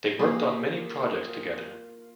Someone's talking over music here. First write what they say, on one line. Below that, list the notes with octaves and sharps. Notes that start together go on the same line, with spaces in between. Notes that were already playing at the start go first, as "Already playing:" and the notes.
They worked on many projects together.
A#3 F4 G4 G#4